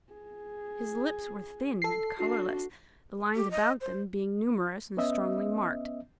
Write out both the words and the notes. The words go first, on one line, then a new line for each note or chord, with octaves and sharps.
His lips were thin and colourless, the lines about them being numerous and strongly marked.
G#4
A4 C7
D4 F#4
G4
D#5
C5
B3 C#4 D#5 E5